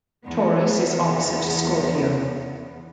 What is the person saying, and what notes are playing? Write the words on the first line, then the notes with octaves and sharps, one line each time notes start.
Taurus is opposite to Scorpio.
E2 B3